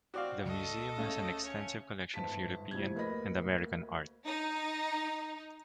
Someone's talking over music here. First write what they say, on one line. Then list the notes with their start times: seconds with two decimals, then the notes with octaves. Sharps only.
The museum has an extensive collection of European and American art.
0.14 C4 F#4 D5 F5
0.45 C#2 A4 D#5
0.98 C#3 A3
1.44 C#4 C#5
2.14 G1 G#2 A5 B6
2.71 F2 A2 C3 G#6
2.96 D2 A#3 B4 D#5 B5 A#6
4.27 D#4